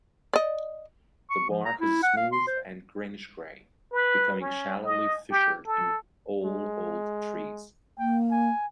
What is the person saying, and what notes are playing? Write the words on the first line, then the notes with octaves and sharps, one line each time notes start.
The bark is smooth and greenish-grey, becoming shallowly fissured in all old trees.
D5 D#5
C#6
F3
A#5
E4
F#5
F5
C6
C5
B4
C#4
D#5
G4
A4
G#3
A#3 G5
G#5